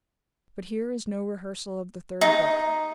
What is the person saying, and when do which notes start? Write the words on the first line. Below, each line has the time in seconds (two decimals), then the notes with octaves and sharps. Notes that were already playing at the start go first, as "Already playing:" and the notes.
But here is no rehersal of the third book.
2.21 D#4